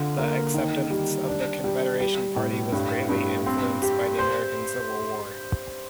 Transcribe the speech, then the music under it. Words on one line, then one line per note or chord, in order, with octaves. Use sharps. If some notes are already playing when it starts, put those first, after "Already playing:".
The acceptance of the Confederation Party was greatly influenced by the American Civil War.
Already playing: D3 F4
A#3
D#3
G3
D4
G3
G3
A2
G2
G2
C4
G4
C5